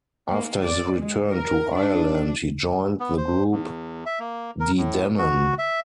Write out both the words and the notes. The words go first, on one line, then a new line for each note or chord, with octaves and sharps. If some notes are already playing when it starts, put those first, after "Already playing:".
After his return to Ireland, he joined the group De Dannan.
A#3
D5
G#3
A#4
D4
B3
C5
E2
E5
A#3
A#4
A2
F#4
E5